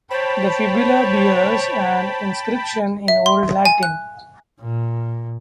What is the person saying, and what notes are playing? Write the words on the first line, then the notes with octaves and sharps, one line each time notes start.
The fibula bears an inscription in Old Latin.
C5 C#5 G5 A5 B5
E5
C6
G#5
F#6
A#2